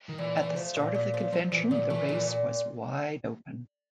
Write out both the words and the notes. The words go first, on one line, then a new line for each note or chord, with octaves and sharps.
At the start of the convention, the race was wide open.
D#3
A#2 E3
A3
F3
A#2
A#2
F3
F3 F#3
A#2 E3
A#2 D#3
E3 A3
A#2
A#2